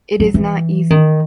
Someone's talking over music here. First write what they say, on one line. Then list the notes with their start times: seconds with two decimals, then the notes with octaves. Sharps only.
It is not easy.
0.20 F#3
0.34 E3
0.90 D#3